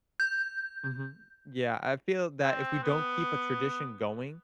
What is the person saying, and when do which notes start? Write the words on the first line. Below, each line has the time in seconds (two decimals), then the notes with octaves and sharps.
Mhm. Yeah, I feel that if we don't keep a tradition going,
0.20 G6
2.43 C4
2.83 B3